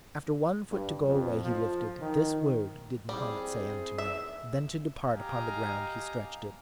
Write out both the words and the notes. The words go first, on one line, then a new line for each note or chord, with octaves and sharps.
After one foot to go away he lifted, This word did Mahomet say unto me, Then to depart upon the ground he stretched it.
G2
F2
F3
D#3
G3 C4 E4 G#4
E5
G4 D#5 F5 G#5 A#5